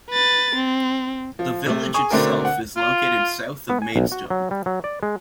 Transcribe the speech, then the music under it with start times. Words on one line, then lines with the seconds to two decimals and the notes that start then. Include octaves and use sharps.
The village itself is located south of Maidstone.
0.10 B4 A6
0.56 C4
1.39 F3
1.66 C3 A3
1.94 G#4 G#5 C#6 D#6
2.10 B2 D3 A3 C4 D4 A#4
2.45 F#5
2.77 F4
3.70 B3
3.82 G#5
3.96 B1
4.12 F#4
4.30 F#3
4.51 G3
4.66 F#3
4.84 D5
5.03 G#3